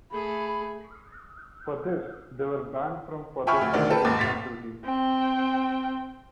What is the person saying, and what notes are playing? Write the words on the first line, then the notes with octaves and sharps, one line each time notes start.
For this, they were banned from further Olympic activities.
A3 G#4 B5
E5 G5 G#5 B5 C#6 F6
D2
D2 D3 D#3 D5
A4 B4 G5
D#2 G#2 D6 A6
F1 A6 B6
C4 G5